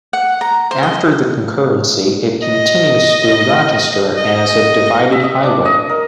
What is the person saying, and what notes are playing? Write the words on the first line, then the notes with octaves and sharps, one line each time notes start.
After the concurrency, it continues through Rochester as a divided highway.
F#5
A#5
C5
D#5
D#5
D#5
E5
D#5
D4
D#5
A#4